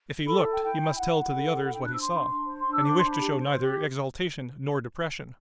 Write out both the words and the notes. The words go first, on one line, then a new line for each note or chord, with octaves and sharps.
If he looked he must tell to the others what he saw, and he wished to show neither exultation nor depression.
A4 B5
G5
E4
G5
E4 G5
E4
E4 F#5
E4
A4
E4
F#5
D4 G5
F#6
C5 E6
C6
D4
D4
C5
C6
D4
E6
C5 D6
C6
D4
B5
G4
C5
G4